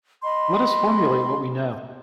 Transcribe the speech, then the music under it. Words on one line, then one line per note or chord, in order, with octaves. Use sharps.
Let us formulate what we know.
D#5 B5 C6